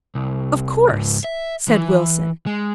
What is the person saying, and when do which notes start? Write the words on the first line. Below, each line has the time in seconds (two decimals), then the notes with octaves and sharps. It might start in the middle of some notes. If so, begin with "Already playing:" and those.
"Of course," said Wilson.
0.15 C2
0.89 C#2 G#2
1.24 E5
1.68 E3
2.46 G#3